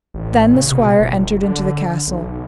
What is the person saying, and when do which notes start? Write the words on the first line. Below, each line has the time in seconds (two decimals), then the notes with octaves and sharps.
Then the squire entered into the castle.
0.14 A1
0.54 C#3
0.71 B2
0.99 G1
1.42 D3
2.07 B1